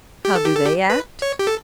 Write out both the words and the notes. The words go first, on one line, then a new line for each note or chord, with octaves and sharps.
How do they act?
G4
A4
G4
A4
G4
B4
C#5
G4
A4